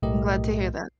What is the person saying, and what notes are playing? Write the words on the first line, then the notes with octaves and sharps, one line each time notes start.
I'm glad to hear that.
B1 A2 A3 G4 A#4 D#5